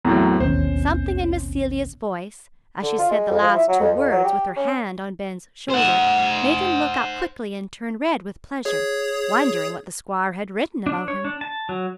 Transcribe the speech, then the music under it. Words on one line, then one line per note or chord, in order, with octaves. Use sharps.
Something in Miss Celia's voice, as she said the last two words with her hand on Ben's shoulder, made him look up quickly and turn red with pleasure, wondering what the Squire had written about him.
E2 A2 F#3 B3 C4 A#5
A1 D#2 B2 C#4 C5
D3
F4
G#3
F2
F3
E4
F#3
F2
F2
F#3
G4
C#4
C5 F#5
G#4 C#5
D4
C#5
D4
A5
F#3